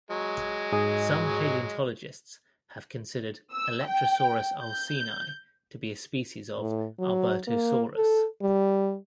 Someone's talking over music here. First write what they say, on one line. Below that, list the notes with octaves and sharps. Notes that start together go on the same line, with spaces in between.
Some paleontologists have considered "Alectrosaurus olseni" to be a species of "Albertosaurus".
F#3 G#3
G#2 G#4 D#5
E6
G5
G6
A2
F#3
A#3
A4
G3